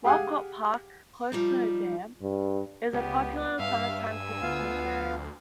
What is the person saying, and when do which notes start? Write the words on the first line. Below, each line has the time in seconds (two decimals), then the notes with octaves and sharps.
Walcott Park, close to the dam, is a popular summertime picnic area.
0.04 G4 G#4 F5 F#5 G#5
1.32 F3 G3 D#4
2.22 G2
2.93 C#2 B3 G4
3.59 G2 E5 F5
4.03 G#5 E6
4.42 D2 B3 F4 F5